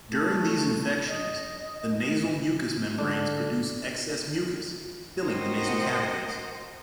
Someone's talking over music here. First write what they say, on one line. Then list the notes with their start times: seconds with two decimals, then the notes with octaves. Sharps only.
During these infections, the nasal mucous membranes produce excess mucus, filling the nasal cavities.
0.09 A3
1.07 D#5
2.98 D3 D4
5.22 F#4 A#4 C5 D#5 F#5 G5